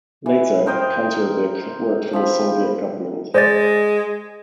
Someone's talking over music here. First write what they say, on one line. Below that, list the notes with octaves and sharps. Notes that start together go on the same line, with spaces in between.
Later, Kantorovich worked for the Soviet government.
E3
A#4 C5 D#5 G5
F3 C4 B5
G#3 C5 D5 A6